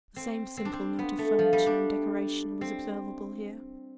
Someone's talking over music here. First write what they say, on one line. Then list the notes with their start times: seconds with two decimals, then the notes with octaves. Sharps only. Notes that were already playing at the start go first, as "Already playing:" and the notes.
The same simple note of furniture and decoration was observable here.
0.16 C4
0.57 C4
0.65 D4
0.73 C4
0.99 B3
1.19 A3
1.39 F3
1.53 G3
1.67 D4
2.61 C4